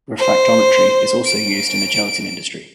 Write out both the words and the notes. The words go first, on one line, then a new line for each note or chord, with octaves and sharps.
Refractometry is also used in the gelatin industry.
C5
D7